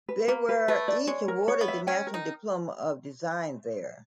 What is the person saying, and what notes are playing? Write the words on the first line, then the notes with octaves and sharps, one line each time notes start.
They were each awarded the National Diploma of Design there.
B4
A#3 B4
B4
A3 B4
D5
G#3 C#5
A#4
C#5
B3
E5
C#4 G5
A#4
D#4